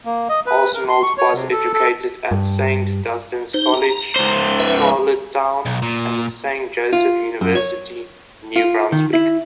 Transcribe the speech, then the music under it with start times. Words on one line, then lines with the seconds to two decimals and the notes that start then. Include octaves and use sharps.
Arsenault was educated at Saint Dunstan's College, Charlottetown, and Saint Joseph University, New Brunswick.
0.05 A#3
0.29 D#5
0.46 B4
0.74 A#4
0.89 C6
1.03 C#6
1.18 C#5
1.34 C3
1.52 A4
1.73 A4
2.31 G2
3.54 D#4 C5
3.74 A#5
4.16 C#2 C5
4.60 B4 E5
5.66 B1
5.82 A#2
6.93 F4
7.41 F#2
7.55 C#5
8.56 F4
8.92 D#3
9.13 E4